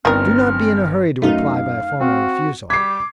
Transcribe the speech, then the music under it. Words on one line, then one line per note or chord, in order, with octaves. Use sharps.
Do not be in a hurry to reply by a formal refusal.
G1 D#3 C4 A#4 F6
F#2 A3 D#4 F5
C4 F#4
G3 D6 G#6 B6 C7